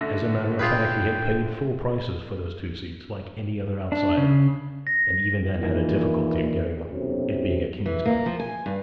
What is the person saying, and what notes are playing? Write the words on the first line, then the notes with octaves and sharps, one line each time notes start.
As a matter of fact he had paid full prices for those two seats, like any other outsider, and even then had a difficulty in getting them, it being a King's night.
D3 A3 A#6
F4 G#4 B4 G5
D4
C#3
A#6
A#2 D#3 E3
B1 F#2 C3
E3
A#3
F3
G#5
G2